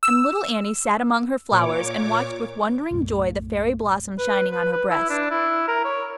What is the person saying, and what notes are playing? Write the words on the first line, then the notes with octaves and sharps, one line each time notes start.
And little Annie sat among her flowers, and watched with wondering joy the fairy blossom shining on her breast.
E6
A#2 C#5 D6
B1 F#2 A2
B4
B4
B4
E4
D4
E4
A#4
C#5